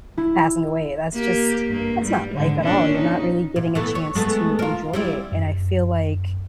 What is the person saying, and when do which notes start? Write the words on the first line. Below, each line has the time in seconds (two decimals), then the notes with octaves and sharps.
passing away. That's just that's not life at all, you're not really getting a chance to enjoy it, and I feel like
0.17 E4
1.14 A#3 G4
1.69 G2 A#3
2.05 G3
2.34 G#2 D3
2.64 A#2 C#4 D4
2.98 D#4
3.56 A#2
3.75 E3 A3 B3
3.95 C#5
4.15 G#3 A3 B3
4.59 F4 A#4
4.93 G3 C4 E4
5.32 F#2